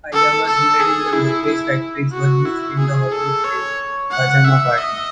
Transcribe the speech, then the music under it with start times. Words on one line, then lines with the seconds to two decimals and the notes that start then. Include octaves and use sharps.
Pajamas made in the Lopez Factories were used in the Hollywood Film, Pajama Party.
0.13 A4
0.46 A4
0.80 G#4
1.13 E4
1.46 E4
2.12 F#4
2.45 E4
2.79 G#4
3.12 A4
3.45 C#5
4.11 F#5
4.45 E5
4.78 D#5